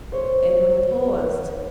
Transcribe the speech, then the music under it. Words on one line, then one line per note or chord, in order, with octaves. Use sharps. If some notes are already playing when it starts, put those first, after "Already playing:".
Edwin paused.
C5 C#5